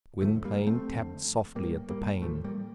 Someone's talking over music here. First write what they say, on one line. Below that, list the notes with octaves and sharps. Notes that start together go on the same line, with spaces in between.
Gwynplaine tapped softly at the pane.
F2 D3 F3 A3
G3 A#3
A3 C4
F2 D3
A2 G3 A#3
G3 A#3
A2 F3 A3
G3 A#3